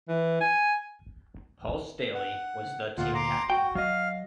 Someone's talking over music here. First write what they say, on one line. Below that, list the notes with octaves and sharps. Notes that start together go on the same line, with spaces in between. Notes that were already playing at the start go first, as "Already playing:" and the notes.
Paul Staley was the team captain.
E3
G#5
F#5
D2 A#2 F4 F#5
A#5 C6 D6
F#4 G5
F#3 D#5 F5